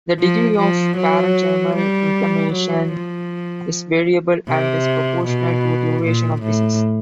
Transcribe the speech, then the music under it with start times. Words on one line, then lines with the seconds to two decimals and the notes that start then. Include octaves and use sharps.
The degree of parenchymal inflammation is variable and is proportional to duration of disease.
0.20 F3
0.58 F3
0.97 F#3
1.76 G3
2.53 F#3
2.93 F3
4.48 C3
5.25 B2
6.03 A#2
6.42 A2